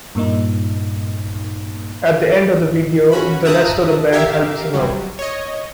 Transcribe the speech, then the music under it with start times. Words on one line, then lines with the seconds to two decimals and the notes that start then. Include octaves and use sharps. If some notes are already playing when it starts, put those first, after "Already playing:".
At the end of the video, the rest of the band helps him up.
0.15 G2 A#2 A#3 D#4
3.12 C#4 F#4 B5
3.45 E5 A5 A#5 D#6 F#6
4.12 G4 A#4 E5 F5
4.74 F#3 G3
5.19 C#5 D#5